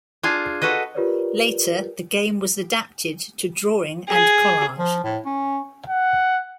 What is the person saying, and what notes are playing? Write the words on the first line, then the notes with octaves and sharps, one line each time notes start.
Later the game was adapted to drawing and collage.
D4 F4 G#4
F#4 A4 B4 D#5
F4 G4 A#4 B4 C#5 D5
G#4
F3
A2
C#4
F#5